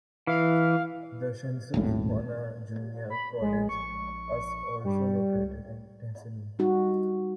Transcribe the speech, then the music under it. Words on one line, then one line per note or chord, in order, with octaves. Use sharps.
The Shinshu Honan Junior College us also located in Tatsuno.
E3 F5
D#1 G#1 A2
B5
A#1 G#3
A#1 C#6
G2 G3
C#2
G3 D#4 F#4